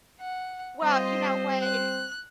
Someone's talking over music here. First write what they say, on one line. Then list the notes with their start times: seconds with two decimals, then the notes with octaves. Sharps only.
Well, you know what, i
0.20 F#5
0.83 G3 C4 F4 C5 D#5
1.62 F#6